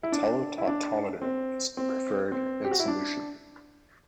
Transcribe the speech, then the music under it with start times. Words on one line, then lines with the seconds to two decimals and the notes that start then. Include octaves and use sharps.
The tele-tautomer is preferred in solution.
0.03 E4
0.12 D4
0.58 E4
0.67 D4
1.22 C4
1.77 C4
2.32 C4
2.64 G4
2.71 F#4
2.80 E4
2.88 D4